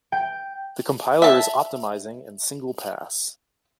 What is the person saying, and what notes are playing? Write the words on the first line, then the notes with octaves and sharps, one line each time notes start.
The compiler is optimizing and single pass.
G5
E5 A5